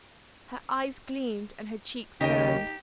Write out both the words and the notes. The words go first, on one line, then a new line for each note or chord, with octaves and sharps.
Her eyes gleamed and her cheeks burned.
D#2 C#3 D#4 G4 D#5 G5